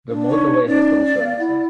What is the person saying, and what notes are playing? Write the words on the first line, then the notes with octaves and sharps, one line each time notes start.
The motorway has no services.
D4
D#4 C#5
C#4 D#4 D5
B3 F5
E4 F#5